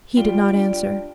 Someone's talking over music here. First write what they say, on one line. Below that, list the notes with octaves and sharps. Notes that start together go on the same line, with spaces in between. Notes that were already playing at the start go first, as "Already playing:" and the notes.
He did not answer.
G3 F4 G5 G7
D4